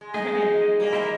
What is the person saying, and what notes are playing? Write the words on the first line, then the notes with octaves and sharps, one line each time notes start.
Right. Yeah.
G#3
D#4 G#4 D#5
A#3
E4 A#4 C5 D#5